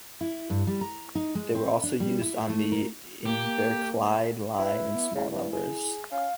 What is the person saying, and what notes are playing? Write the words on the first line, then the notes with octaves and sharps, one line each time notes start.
They were also used on the Inverclyde Line in small numbers.
E4
G2
G3
A#5
D#4
G#3
C4
D4
G3
E4
A3
A#4
A#3 G4
E4 B4
B3
C#3 E4
G2
G#4
C#4 F5